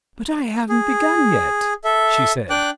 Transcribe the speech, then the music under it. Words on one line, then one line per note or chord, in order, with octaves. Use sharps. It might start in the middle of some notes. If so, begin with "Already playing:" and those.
"But I haven't begun yet," she said.
G#4
A4 E5
D4 G5 D6 F#6